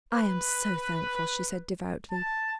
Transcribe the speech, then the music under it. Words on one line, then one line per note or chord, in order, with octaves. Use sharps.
"I am so thankful," she said devoutly.
B4
A5